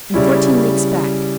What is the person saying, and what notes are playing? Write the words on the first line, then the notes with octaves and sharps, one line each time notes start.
"And fourteen leagues back?"
C#3 G3 C#4 E4